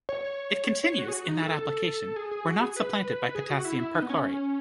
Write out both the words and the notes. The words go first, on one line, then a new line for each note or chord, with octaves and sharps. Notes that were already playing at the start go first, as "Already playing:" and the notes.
It continues in that application, where not supplanted by potassium perchlorate.
C#5
C#5
C#5
F#4
G#4
F#4
D#4
A4
G#4
G#4
F#4
G#4
B4
G#4
F#4
E4
E4
D#4
B3
C#4